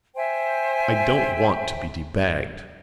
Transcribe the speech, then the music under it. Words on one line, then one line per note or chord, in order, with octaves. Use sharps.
I don't want to be debagged!
C5 E5 G5 G#5